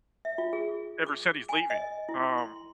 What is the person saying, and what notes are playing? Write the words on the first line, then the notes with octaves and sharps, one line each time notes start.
ever said he's leaving." Um
E5
F4
G#4
D6
G#5
D#5
E4
C6
C6